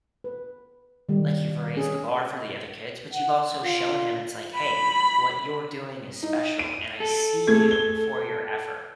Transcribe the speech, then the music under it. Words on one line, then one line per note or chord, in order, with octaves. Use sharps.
like, you've raised the bar for the other kids, but you've also shown him it's like, "Hey, what you're doing is special, and I see you for your effort."
B4
D#3 G3
C#4 G#4
F#5
F4
B5
D#4
D#7
A4
A3 G#4 G#6
G7